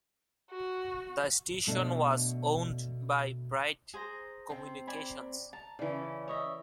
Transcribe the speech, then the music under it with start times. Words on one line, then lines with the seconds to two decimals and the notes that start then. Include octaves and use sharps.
The station was owned by Pride Communications.
0.51 F#4
1.67 B2 A3 D4
3.94 G#4 C5 A#5
4.50 C3 C4
4.87 D5 G#5 B5
5.53 A5 A#5
5.79 C#3 E3 C#4 D5
6.28 C#5 D#5 E5